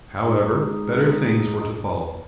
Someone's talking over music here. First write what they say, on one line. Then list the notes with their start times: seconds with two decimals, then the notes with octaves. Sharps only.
However, better things were to follow.
0.25 G#3 D#4 G#4